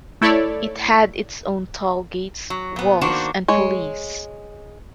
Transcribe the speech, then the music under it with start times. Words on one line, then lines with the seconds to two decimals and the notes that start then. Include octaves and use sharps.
It had its own tollgates, walls and police.
0.21 A3 E4 A4 C#5 D5
2.50 F#3
2.76 A#2 B3
3.01 D#3 A#3 D4 F#4 C5
3.48 G#3 C#5